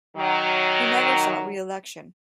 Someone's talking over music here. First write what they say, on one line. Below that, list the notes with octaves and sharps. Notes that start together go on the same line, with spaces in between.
He never sought re-election.
D#3 F#3